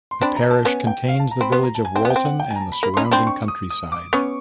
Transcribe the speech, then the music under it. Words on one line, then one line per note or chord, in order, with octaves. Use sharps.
The parish contains the village of Walton and the surrounding countryside.
C6
C4 D4 B5
A#5
A5
B3 C#4 G#5
G5
F5
A5
A#5
C4 B5
B3 C6
A#5
A5
G#5
C4 G5
B3
G5
C4
F#5
G5
G#5
A#5
A5
B5
A#3 B5
C#4 D#4 C6
B5
C4 D4 C6
C#6
D#6
D#6
D6
B3 C#4 C#6